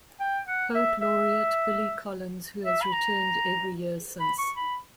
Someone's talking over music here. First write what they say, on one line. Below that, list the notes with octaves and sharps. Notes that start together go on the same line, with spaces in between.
Poet Laureate Billy Collins, who has returned every year since.
G5
F#5
E5
E5
E5
B5
A#5
B5
C#6
B5